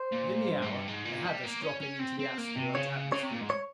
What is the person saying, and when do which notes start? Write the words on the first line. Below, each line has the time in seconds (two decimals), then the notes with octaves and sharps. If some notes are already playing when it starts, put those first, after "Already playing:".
Within the hour I had us dropping into the asteroid's atmosphere.
Already playing: C5
0.12 A#2
0.49 G2
0.62 G#2
0.68 G2
0.87 G#2
1.05 A#2
1.24 G3
1.43 A#3
1.62 C#4
1.80 C#4
1.99 C4
2.19 C4
2.38 A#3
2.56 C3
2.75 C#3 C#5
3.12 C#3 C#5
3.22 C3
3.31 A#2
3.41 G#2
3.50 C#5